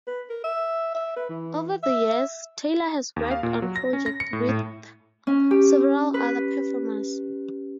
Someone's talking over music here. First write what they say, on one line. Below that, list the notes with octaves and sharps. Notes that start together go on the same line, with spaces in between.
Over the years, Taylor has worked on projects with several other performers.
B4
A#4
E5
E5
B4
E3
E5
D#2
F5
A#2
F#3
A#6
C#4
A#6
C#7
A2
A2
C#4
G4
B4